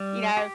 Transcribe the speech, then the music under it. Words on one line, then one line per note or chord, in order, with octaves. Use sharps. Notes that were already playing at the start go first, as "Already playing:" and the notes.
You know?
Already playing: G3
G4